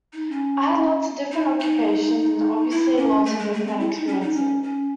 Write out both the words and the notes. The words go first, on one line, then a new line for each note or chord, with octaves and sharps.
I had lots of different occupations and obviously lots of different experiences.
D#4
C#4
D#4
D#4
E4
C#4
A3
G#3
A3
C4
E4
D#4
C#4
D#4
C#4
C#4